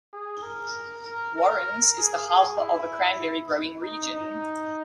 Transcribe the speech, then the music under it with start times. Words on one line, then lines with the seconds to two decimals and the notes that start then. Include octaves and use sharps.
Warrens is the hub of a cranberry-growing region.
0.13 G#4
0.43 A#4
1.04 A#4
1.36 A#4
1.97 G#4
2.27 G#4
2.58 E4
3.82 D#4
4.13 D#4